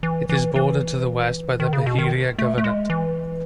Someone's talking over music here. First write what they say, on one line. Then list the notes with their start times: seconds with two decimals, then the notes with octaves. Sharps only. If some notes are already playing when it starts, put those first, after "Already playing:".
It is bordered to the west by the Beheira Governorate.
0.03 E3
0.29 E3
0.56 E3
1.60 D#3
1.73 C#3
1.86 B2
1.99 D#3
2.38 A3
2.58 A3
2.64 G#3
2.90 E3